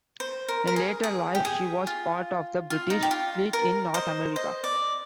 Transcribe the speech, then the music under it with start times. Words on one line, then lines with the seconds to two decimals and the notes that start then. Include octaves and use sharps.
In later life, she was part of the British fleet in North America.
0.20 C5
0.48 A#4
0.67 A#4
0.76 G#4
1.04 G#4
1.35 G4
1.45 G#4
1.87 F4
2.70 F4
2.90 D#4
3.03 G4
3.11 F4
3.53 A#4
3.94 C5 D#5
4.36 C5 D#5
4.64 D5